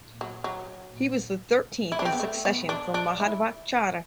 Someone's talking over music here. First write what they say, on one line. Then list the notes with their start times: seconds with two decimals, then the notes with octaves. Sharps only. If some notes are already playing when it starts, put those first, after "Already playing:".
He was the thirteenth in succession from Madhvacharya.
0.21 F#3
0.44 F#3
1.92 E4
1.99 D4
2.05 C4
2.12 B3
2.20 A3
2.45 B3
2.69 D4
2.94 D4
3.20 E4